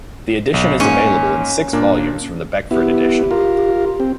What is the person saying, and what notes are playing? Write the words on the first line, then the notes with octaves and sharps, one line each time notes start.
The edition is available in six volumes from The Beckford Edition.
B1
G#2 A#3 C#4
A#2 A#3 D4
B3 E4 G4
F4 A#4
C4